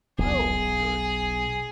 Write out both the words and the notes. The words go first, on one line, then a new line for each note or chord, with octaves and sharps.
Oh, good.
E1 B1 G#4